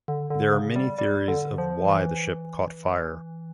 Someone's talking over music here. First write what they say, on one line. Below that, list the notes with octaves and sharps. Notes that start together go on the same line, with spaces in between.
Their are many theories of why the ship caught fire.
D3
D3
C#3
G3
G3
D3
F3
E3